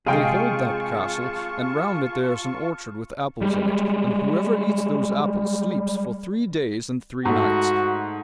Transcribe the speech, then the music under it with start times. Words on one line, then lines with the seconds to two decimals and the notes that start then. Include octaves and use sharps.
They hold that castle, and round it there is an orchard with apples in it, and whoever eats those apples sleeps for three days and three nights.
0.07 C3 G#3 F4 G#4 F5 G5 A5 C#6
3.41 G3 G#3
7.25 G#2 A3 F#4